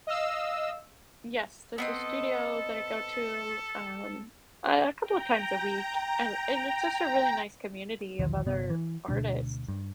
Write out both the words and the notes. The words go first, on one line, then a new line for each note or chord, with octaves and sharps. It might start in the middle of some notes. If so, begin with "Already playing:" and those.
yes, there's a studio that I go to, um, a couple of times a week, and and it's just a really nice community of other artists.
D#5 F5 E6
B3 C4 A4 D#5
G5 A#5
A#1 D#2 D3 F3
G1 C3 B3
E3
D2 B2 G#3 D4
G2